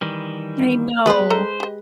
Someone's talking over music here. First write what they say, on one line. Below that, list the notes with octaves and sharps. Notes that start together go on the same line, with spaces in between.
I know.
D#3 E3 G3
G#3 B3 B4 C5
A4 C5 D#5 A#5
G4 D#5